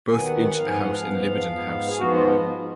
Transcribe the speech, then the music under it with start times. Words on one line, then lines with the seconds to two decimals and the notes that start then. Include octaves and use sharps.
Both Inch House and Liberton House survive.
0.10 D#2 D#3 F#3 B3 G#5
0.26 F#5
0.42 F#5
0.56 G#2 F3 B3 F5
0.68 G#5
0.81 F#5
0.92 F5
1.04 G#2 F3 B3
1.51 G#2 F3 B3
1.88 G#4
1.97 G#2 F3 B3 F#4
2.14 F4